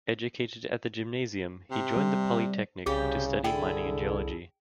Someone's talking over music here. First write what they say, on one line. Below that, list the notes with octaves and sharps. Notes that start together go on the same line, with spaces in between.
Educated at the Gymnasium he joined the Polytechnic to study mining and geology.
C3
G3
C2 C#3 F3 G3 G4 G#4
D3 E4 G#4 A4 G5